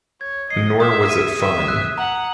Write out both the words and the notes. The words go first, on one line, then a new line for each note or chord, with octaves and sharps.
Nor was it fun.
C#5 G#6
D#5 C7
E5 D#6
D#7
E5 D#6
F#6
F#5 A#5